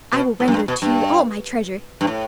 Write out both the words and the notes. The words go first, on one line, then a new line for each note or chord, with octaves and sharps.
I will render to you all my treasure.
B2
A2
F#2
G2
B2
G2
G2
A2